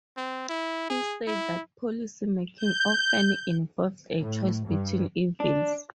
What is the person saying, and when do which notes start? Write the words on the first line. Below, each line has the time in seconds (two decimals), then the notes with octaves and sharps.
He said that policy making often involved a choice between 'evils'.
0.17 C4
0.49 E4
0.90 G#4
1.27 E4
2.57 G6
4.19 A2
4.67 G2
5.40 D4